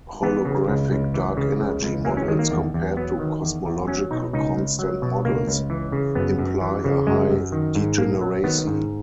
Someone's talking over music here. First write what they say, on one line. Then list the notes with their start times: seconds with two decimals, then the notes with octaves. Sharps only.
Holographic Dark Energy models compared to Cosmological Constant models, imply a high degeneracy.
0.23 E3 B3
0.45 C#3
0.68 C#2
0.92 C#2
1.14 E3
1.37 C#3
1.60 C#2
1.83 C#2
2.05 F#3 A#3
2.17 C#4
2.28 D#3 G#3
2.39 A#3
2.51 E2
2.74 E2
2.97 F#3 B3
3.19 D#3
3.42 E2
3.65 E2
3.87 F#3 C#4
4.11 B2 D#4
4.33 C#2 D#4
4.56 C#2
4.79 F#3
5.02 B2
5.25 C#2 A#3
5.47 C#2
5.70 E3
5.92 C#3
6.15 F#2 B3
6.39 F#2
6.61 E3
6.84 C#3
7.07 F#2 G#3
7.30 F#2
7.52 D#3
7.75 G#2
7.98 A#1 A#3
8.21 F#3
8.44 D#3 B3
8.67 G#2